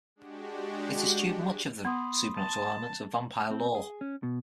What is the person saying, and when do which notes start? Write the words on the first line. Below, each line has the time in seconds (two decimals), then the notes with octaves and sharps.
It eschewed much of the supernatural elements of vampire lore.
0.16 G#3 D4 F#4 G4
1.85 B3 B5 C6 D#6
2.37 A5
3.50 C4
3.75 G#4
4.01 C#4
4.23 B2